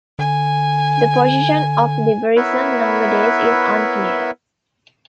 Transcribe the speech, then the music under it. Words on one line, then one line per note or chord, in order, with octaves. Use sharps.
The position of liberalism nowadays is unclear.
D3 G#5
B3 E4 A#4 B4 C#5 E5